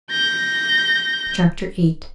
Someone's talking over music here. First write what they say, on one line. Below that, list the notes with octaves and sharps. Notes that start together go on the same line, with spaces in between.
Chapter VIII.
G6 A#6